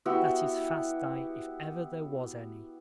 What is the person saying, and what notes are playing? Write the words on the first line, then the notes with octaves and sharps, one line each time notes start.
That is fast dye if ever there was any.
B3 E4 F#4 G4